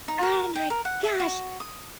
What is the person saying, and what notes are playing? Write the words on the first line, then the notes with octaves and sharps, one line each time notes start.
Oh my gosh.
D#4
A#4
G5
A#4
F#5
E5
F#4
D#6